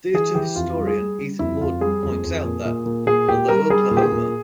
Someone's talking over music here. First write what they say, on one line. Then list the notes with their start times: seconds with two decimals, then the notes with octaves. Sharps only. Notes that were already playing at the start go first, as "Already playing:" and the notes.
Theater historian Ethan Mordden points out that, although Oklahoma!
0.14 E3 G#4
0.35 E3 G4
0.56 F2 F4
0.77 G3
0.87 G#4
0.98 G3
1.19 G3
1.39 F2 E4
1.60 F2 F4
1.81 G3 G#4
2.03 F2
2.24 F2
2.44 A#2
2.65 A#2
2.86 A#2
3.07 A#2 G#4
3.29 A#2 G4
3.49 G3 A#4
3.70 G3 G#4
3.91 A#2
3.97 G4
4.02 G#4
4.12 A#2